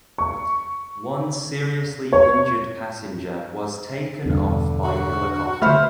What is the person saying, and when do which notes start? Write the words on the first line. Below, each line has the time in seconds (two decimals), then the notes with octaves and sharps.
One seriously injured passenger was taken off by helicopter.
0.18 C#6
2.13 C#5
4.26 E2 G2 B2 D3
4.84 F#4
5.62 D3 A3 C5 E5 B5 F6